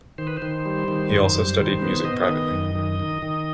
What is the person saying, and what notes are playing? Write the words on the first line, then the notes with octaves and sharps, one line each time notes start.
He also studied music privately.
D#3 C5
B4
C5
D#3
G3
D#3
F#2
G3
D#3
B3
B3 D#5
D#3
F#2
D#3
D#3
D#3